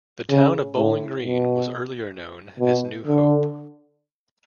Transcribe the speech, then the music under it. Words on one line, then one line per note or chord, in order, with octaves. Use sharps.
The town of Bowling Green was earlier known as New Hope.
C#3
A2
B2
B2
D3